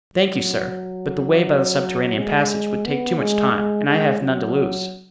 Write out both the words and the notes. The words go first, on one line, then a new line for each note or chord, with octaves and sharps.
"Thank you, sir, but the way by the subterranean passage would take too much time and I have none to lose."
F#3
G#3
B3
G#3
G#3
G#3
F#3